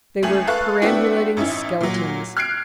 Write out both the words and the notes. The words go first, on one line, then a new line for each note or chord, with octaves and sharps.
They were perambulating skeletons.
C#2 A3 G#5 F#7
A4 B4 F5 C#6 F#6
A3 B3 C4 D4 E4 F#4
A1 C#4 D#4 E4
A#2 F#3
F6 F#6 G#6 C7 D7